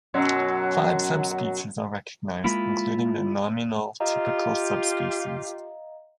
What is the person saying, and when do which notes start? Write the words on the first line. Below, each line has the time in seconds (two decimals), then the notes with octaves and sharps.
Five subspecies are recognized, including the nominotypical subspecies.
0.14 F#2 B2 F#3
2.44 G#3 A#3 E4 F4 B5
4.00 F4 G4 D#5 F5 A#5